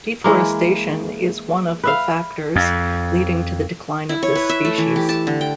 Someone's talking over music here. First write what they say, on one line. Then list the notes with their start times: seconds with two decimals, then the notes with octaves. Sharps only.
Deforestation is one of the factors leading to the decline of this species.
0.24 E3 G#3 A#3
1.84 B4 E5 F5
2.56 F2
4.09 E4
4.23 C#5
4.35 B4
4.49 E5
4.65 A3
4.78 E3
4.96 G4
5.09 A5
5.27 D3
5.41 G5